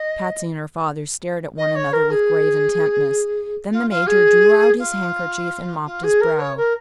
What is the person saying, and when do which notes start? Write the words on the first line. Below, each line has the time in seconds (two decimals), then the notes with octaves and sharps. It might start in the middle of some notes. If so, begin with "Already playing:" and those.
Patsy and her father stared at one another with grave intentness. Then the Major drew out his handkerchief and mopped his brow.
Already playing: D#5
1.57 D#5
1.75 C#5
1.92 A#4
2.10 G#4
3.71 F4
3.89 F4
4.06 G#4
4.78 F4
5.85 F4
6.03 G#4
6.21 A#4
6.39 C#5
6.57 A#4